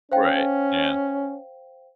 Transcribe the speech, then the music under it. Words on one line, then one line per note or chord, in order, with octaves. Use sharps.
Right, yeah.
C#4 C5 F5 G5